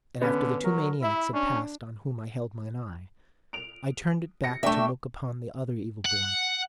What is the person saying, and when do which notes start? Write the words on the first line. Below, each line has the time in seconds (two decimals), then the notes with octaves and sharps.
And after the two maniacs had passed On whom I held mine eye, I turned it back To look upon the other evil-born.
0.22 D3 B3 C#4
0.64 F#3 A#4
1.02 E4 E5
1.34 C#4 D4
3.53 D7 F7
4.44 A#6 C#7
4.63 A3 D4 E5 G5 C#6
6.06 F#5